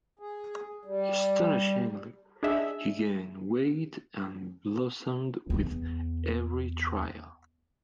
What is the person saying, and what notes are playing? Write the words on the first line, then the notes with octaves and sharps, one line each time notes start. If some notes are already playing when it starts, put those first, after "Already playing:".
Astonishingly, he gained weight and blossomed with every trial.
G#4
G3
D4 G#4 D#5 E5
E2 B3